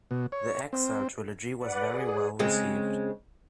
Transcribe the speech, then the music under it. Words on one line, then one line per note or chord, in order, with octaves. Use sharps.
The "Exile" trilogy was very well received.
B2
C#5
C4
B4 D5 F#5
G#4
C#3 G#3 C4